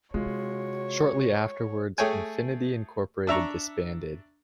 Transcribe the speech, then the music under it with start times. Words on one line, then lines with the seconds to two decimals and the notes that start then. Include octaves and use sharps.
Shortly afterwards, Infinity Incorporated disbanded.
0.14 C3 G#3 F4 F#4 C#5
1.98 A3 G#4 C#5 G5 G#5
3.27 D4 E5 A#5 C#6